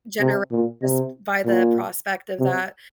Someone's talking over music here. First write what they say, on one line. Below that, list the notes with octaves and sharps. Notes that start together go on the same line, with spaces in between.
generate sp by the prospect of that,
C3
A#2
C3
A#2
C3